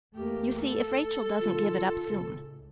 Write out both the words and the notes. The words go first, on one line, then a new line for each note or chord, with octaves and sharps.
You see if Rachel doesn't give it up soon.
E2 A3 A#3 G4
A4
C3 D#3 F4
C#2 A2